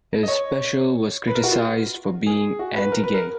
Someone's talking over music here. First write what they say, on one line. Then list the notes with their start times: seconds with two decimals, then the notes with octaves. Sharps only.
His special was criticised for being anti gay.
0.23 D#5
0.28 C#5
1.27 B4
1.35 A#4
1.44 F#4
1.52 F4
2.27 G#4
2.59 F#4
2.76 B4
2.92 A#4
3.04 B4
3.14 A#4